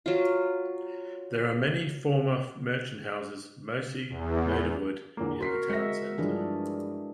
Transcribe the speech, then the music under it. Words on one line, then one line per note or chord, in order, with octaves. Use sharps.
There are many former merchant houses, mostly made of wood, in the town center.
F#3 F4
E2
E2 D3 A#3
F#4 A#4 C6 B6 C7
G#3 E5 A#6 C#7
G2 E3 F3 D4 G#4